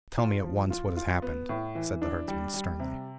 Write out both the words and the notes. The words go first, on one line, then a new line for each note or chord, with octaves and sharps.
'Tell me at once what has happened,' said the herdsman sternly.
F4
F3
F4
F4
B3
A2
E3
D4
G3
G3
C3